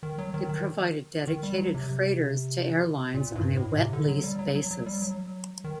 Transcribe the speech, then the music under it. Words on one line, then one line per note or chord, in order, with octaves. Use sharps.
It provided dedicated freighters to airlines on a wet lease basis.
D#3
F#3
D#3
D#3
D#3
G3
F#3
C3
A#2
G2
A2
C3
D3
F#3
G3
F#3
F#3
F#3
G3
F#3
D#3